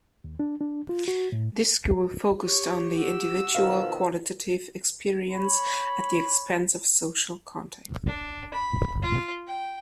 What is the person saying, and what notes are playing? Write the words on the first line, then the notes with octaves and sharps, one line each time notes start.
This school focused on the individual qualitative experience at the expense of social context.
D#2
D4
D4
F4
F#4
A2
G4 C#5
F#4 E6
B2 D#3 F3 F5
C#5 B5
D4
B5
F4
G5